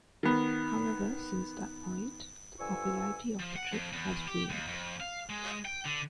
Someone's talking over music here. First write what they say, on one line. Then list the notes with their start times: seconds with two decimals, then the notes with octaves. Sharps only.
However, since that point, the popularity of the trick has waned.
0.23 D#3 B3
2.60 G2 D3 F3 G#5 C#6 E6
3.39 F3
3.56 F#5
3.71 F2
3.92 E2
4.27 G4
4.50 D#2
4.68 F2
5.01 F5
5.30 G#3
5.65 G5
5.85 D3